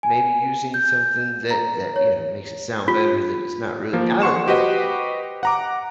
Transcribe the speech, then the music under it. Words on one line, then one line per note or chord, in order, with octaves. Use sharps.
maybe using something that that, you know, makes it sound better that it's not really I don't know.
G#5
G6
A#5
C#5
F4
F3 A#3
F#5 C6 C#6 E7
F#4 G4 B4 C5 D#5 F#5
F#5 A#5 D6